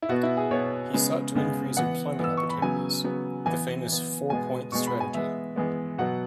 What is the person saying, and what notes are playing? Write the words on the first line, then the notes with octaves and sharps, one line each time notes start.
He sought to increase employment opportunities with a famous four-point strategy.
E4
B2 B3 F#4
E4
G#4
B2 B3 C#5
C#3 G#3 B3
C#3 G#3 B3
E3 B3 F#5
E3 B3 E6
C#6
B5
C#3 F#3 B3 G#5
C#3 F#3 B3
E3 B3 G#5
E3 B3
B2 G#3 B3 G#5
B2 G#3 B3 C#6
B5
G#5
E3 G#3 B3 E5
E3 G#3 B3
B2 F#3 B3 F#5